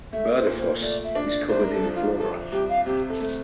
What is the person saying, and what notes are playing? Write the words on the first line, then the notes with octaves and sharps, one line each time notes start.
Bardufoss is covered in flora.
A3 E5
C5
A#2
C5
A3 D5
E5
D4
D5
C2 C5
A#4
A4
F3
F4
F3 A4
C2 G4
F5
C3 G4
A4
A3